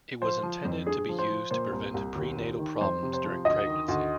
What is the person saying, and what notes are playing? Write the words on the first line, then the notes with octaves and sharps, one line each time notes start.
It was intended to be used to prevent prenatal problems during pregnancy.
F3 C5
F3
F2
G2 G#4
F3
C5
F3
A#2 C5
C2
C2
D#2
D#2
D#3
F2 C5
C3
C5
F3
D2 D#5
D#3
D2